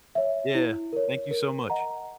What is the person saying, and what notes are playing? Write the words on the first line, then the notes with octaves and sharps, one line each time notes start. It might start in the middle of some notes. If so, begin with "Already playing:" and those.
Yeah. Thank you so much.
C#5 E5
E4
A#4 C#5
A#4
D#5 F#5 A#5